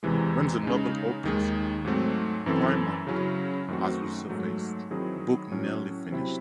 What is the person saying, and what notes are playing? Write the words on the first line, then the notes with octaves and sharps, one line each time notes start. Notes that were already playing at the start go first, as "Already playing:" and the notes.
When the novel opens, Crimond has resurfaced, book nearly finished.
E2 C3 E3 G#3
C#3 G#3 D#4
D#2 D#3 G#3
G#2 F#3 A3 C4
F#2 E3 C4 E4 A4
C#3 F#3 C#4 E4
F#2 D#3 A3 C4 F#4
G#2 F#3 A3
D#3 F#3 C4 E4 G#4
A2 F#3 C#4
C3 F#3 C4 E4